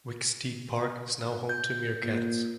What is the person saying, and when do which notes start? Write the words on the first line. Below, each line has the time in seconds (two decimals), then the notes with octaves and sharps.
Wicksteed Park is now home to Meerkats.
1.49 G6
2.03 A#2